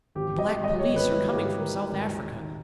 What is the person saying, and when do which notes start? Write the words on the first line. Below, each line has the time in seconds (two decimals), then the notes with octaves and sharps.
The Black Police are coming from South Africa....
0.15 G#1 G4
0.31 G#1
0.39 D#5
0.47 G#2
0.63 G3 D#5
0.79 G#1 C#5
0.96 G#1 B4
1.11 G#2 E4
1.27 G#2 G4
1.43 G3 G4
1.59 G3 A#4
1.75 G#2
1.91 G#1
2.08 D#2
2.23 D#3
2.39 D#3